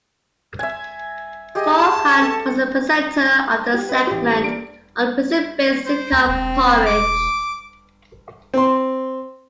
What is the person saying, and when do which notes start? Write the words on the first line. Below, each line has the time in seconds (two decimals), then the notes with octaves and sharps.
Vaughan was the presenter of the segment on prison-based sitcom "Porridge".
0.59 E5 G#5
1.55 G4 G#4 D#5
1.75 A5
2.22 A4
3.74 G4
3.89 B4 D#5
4.07 A1 G4
4.43 A#3 D4 D7
5.85 C5
6.12 D2 A#5
6.29 E1 C4
6.86 D6
8.54 C4 C6